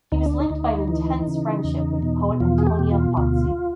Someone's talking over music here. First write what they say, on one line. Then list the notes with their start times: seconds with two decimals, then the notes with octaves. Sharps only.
He was linked by an intense friendship with the poet Antonia Pozzi.
0.12 D2 D#4
0.26 D4
0.40 D#4
0.50 D2
0.88 E3
1.27 C#3
1.64 E2
2.02 B2
2.40 E2 F4
2.58 G#4
2.67 G4
2.79 B2
2.91 F4
3.17 D2 F4